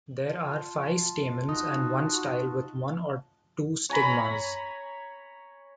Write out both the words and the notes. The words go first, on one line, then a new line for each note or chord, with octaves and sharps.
There are five stamens and one style with one or two stigmas.
F4 A5
D#4 F#4 D#6
C#5 G#5 A#5 B5